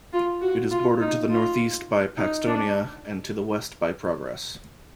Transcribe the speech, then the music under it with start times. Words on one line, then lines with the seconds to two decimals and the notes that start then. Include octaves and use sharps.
It is bordered to the northeast by Paxtonia and to the west by Progress.
0.13 F4
0.41 F#4
0.71 F4
1.00 D#4
1.30 F4
2.17 D#4
2.47 D4